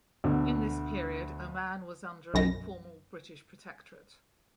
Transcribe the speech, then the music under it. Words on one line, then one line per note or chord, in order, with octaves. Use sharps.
In this period Oman was under an informal British protectorate.
D2 B2 D3
B1 F#2 A#6